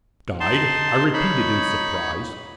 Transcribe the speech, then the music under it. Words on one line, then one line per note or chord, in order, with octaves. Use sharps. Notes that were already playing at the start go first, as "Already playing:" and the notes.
"Died?" I repeated, in surprise.
D#4 A5 C6
D#4 C#5 B5